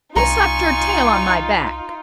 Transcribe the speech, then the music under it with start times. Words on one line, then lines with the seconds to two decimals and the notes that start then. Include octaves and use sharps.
"You slapped your tail on my back!"
0.16 C2 D#4 F4 G#5 A#5 C#6